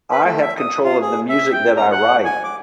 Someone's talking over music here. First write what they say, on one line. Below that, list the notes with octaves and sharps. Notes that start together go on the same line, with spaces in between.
I have control of the music that I write,
B4
A3
E5
D#6
F4
G#4
E5
G5
A#5
F#5
G#5
D6